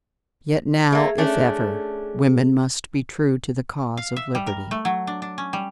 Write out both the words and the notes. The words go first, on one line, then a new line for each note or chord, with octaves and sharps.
Yet now, if ever, women must be true to the cause of liberty.
A3 A#3 G#4
A3 C#4 D4
F5
E5
G3
A#4
A3
F#3
D4
D4
C#4
G3